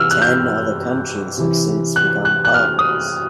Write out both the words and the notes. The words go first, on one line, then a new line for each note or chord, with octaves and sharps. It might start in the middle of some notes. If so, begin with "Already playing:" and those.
Ten other countries have since become partners.
Already playing: C3 E3 E6 F6
F#6
G6
C3 E3
F#6
F#6
F#6
F6
D#6